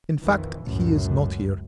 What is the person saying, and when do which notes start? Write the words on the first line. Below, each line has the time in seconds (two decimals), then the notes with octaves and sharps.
"In fact, he is not here...."
0.20 A#1 F2 D#3 E3
0.62 C#2 F#2 A2